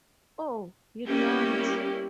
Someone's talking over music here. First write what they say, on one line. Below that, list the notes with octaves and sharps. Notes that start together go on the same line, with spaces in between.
Oh, you don't?
G3 A#3 B3 C#4 E4 G4